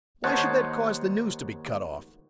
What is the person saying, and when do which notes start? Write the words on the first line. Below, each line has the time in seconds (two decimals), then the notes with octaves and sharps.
Why should that cause the news to be cut off?
0.24 D#2 C5 C#5 D#5 F#5 A5